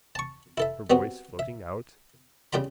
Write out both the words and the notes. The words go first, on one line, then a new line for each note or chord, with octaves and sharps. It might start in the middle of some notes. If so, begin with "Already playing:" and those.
Her voice floating out.
A5 C#6
E4 A4 E5
G3 B3 C4 F#4
E5
C#3 G3 F4 G5 B5